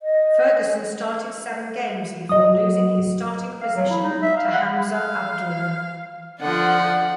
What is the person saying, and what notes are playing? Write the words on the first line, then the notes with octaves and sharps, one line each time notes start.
Ferguson started seven games before losing his starting position to Hamza Abdullah.
D#5
F#3 D#5 D#6
F5
F#3
E4
D#4
E5
F5
F#5
F5
D3 F3 D5 F#5